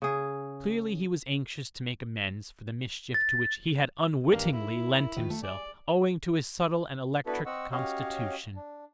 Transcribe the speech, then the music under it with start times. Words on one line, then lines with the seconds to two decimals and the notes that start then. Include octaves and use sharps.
Clearly he was anxious to make amends for the mischief to which he had unwittingly lent himself owing to his subtle and electric constitution.
0.02 C#3 G#4
3.14 A6
4.31 G2 D#3 A#3 D4
4.53 E4 A#4
5.16 D#3 F4 B4
5.30 A3
5.43 G#4 D5
7.26 B3 D4 E4 F#4 A4 B4
7.46 C4 D#5 F#5 C#6 E6
7.72 C#4 F#4 G4 C#5 D#5 F5
8.56 D4